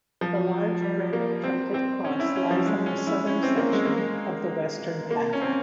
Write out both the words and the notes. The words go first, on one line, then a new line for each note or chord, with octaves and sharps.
The large granite Celtic cross lies on the southern section of the western path.
F3
G3
A#3
C4
C4
C#4
E4
C#4
F3
G#3
C#4
E4
C#4
C4
A#3
G#3
A#3
G#3
A#3
C#4
C4